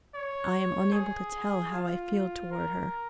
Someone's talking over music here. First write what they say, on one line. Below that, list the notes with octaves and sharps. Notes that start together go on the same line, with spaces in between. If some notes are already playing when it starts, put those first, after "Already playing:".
I am unable to tell how I feel toward her.
C#5
G#4
F4
A#4